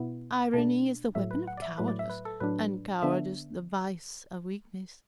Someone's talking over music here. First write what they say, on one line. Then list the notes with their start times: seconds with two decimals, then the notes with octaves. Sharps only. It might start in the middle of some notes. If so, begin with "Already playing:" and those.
Irony is the weapon of cowardice, and cowardice the vice of weakness.
Already playing: B2 B3 E4
0.53 B2 A3 D4 A5
1.15 A2 F#3 A3 E5
1.31 B4
1.47 F#5
1.57 D5
1.62 E5
1.78 A2 F#3 A3 B4
1.88 D5
1.99 E5
2.09 B4
2.25 A4
2.40 A2 F#3 D4 B4
3.02 D3 B3 D4 E5